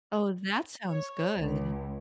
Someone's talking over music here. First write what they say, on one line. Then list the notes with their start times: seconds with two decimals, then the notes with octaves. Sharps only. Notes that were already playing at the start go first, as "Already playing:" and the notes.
Oh, that sounds good.
0.87 C#5
1.39 C#2